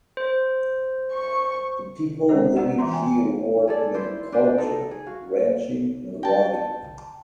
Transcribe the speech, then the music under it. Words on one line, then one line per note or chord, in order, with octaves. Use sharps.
The people living here worked in agriculture, ranching and logging.
C5
C#6
G#3 C#4 F#4 C5
C4 F4 B4 D5 F#5
E3 E5 A#5 C6
G5 G#5
G#4 A4 D5
E4 C5 D5
D4 B4 C5 D5
D#4 A4
G#4
F#4 F5
G5 A5